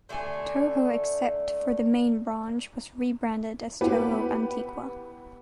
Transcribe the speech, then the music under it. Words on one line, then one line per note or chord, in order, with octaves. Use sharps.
Toho except for the main branch was rebranded as Toho Antigua.
D3 A3 D4 G#5
B3 E4 G4 B4